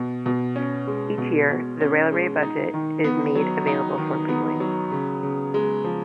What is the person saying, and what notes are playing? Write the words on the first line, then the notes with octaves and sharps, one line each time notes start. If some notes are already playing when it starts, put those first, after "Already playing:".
Each year, the railway budget is made available for viewing.
Already playing: B2
B2
C#4
G#3
B2
B2
C#4
G#3
D#4
D#3
B3
F#3
D#4
D#3
B3
F#3
C#3
C#3
G#3
F3